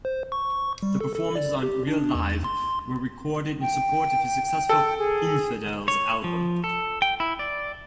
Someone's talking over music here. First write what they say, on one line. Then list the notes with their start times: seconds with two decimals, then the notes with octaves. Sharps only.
The performances on "Real Live" were recorded in support of his successful "Infidels" album.
0.05 C5
0.32 C#6
0.83 G3
1.01 A4
1.15 A4
1.36 D5
1.63 G4
1.88 D4
2.15 E2
2.44 C6
3.61 G5
4.69 A4
4.99 G#4
5.88 C#5
6.24 F3
6.64 A4
7.02 G5
7.20 E4
7.39 D5